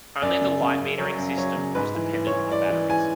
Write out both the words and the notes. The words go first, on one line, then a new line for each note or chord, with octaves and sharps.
Only the light metering system was dependent on batteries.
F#2 D5
C#3
C#3
F#2
F#3 C#5
F#2
F#3 C#5
C#3
G#2 B4
E3
E3
C#5
E3
E3 D5
E3
E3 G#5